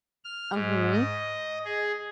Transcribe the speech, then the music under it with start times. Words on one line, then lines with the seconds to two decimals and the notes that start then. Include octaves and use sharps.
Uh, hmm.
0.24 F6
0.54 G#2
0.93 D#5
1.65 G#4